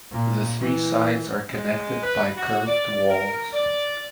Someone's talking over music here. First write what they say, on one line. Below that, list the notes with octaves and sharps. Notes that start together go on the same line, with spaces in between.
The three sides are connected by curved walls.
A#2
E3
G#3
B4
F#4
D5
A#4
D5